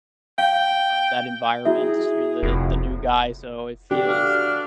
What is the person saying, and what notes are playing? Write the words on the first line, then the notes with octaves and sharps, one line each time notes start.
of that environment, you're the the new guy so it feels
F5 G5
E4 F#4 G#4 E5
F1
D3 D4 G4
F#4 F5 F6